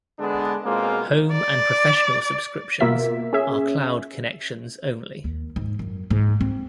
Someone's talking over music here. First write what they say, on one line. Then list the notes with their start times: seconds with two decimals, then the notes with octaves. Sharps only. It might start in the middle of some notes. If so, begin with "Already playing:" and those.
Home and Professional subscriptions are cloud connections only.
0.19 D3 G#3 B3 D4
0.65 B2 G#3 A#3 C4 F4
1.32 D5
2.80 B2 A#3 F4 E5 B6
3.33 C#4 G#4 E5
5.24 D#2
5.56 G#2
5.79 F#2
6.10 G#2
6.41 C4